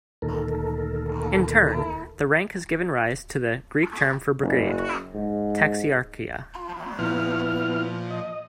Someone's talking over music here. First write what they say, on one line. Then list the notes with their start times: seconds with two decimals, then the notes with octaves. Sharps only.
In turn, the rank has given rise to the Greek term for brigade, "taxiarchia".
0.22 D2 A#2 D#3 A4 A#4
4.41 F#1
5.14 G#2
6.99 A#2 F3 B3 E4 F6
8.10 D#5